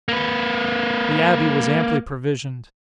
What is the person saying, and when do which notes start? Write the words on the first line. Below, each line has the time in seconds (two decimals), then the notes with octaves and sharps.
The abbey was amply provisioned.
0.09 A#3 B4